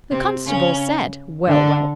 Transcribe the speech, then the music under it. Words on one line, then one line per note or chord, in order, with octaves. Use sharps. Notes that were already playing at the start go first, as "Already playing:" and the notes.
The constable said 'Well!
C3 C4
C#3 C#4
D3 D4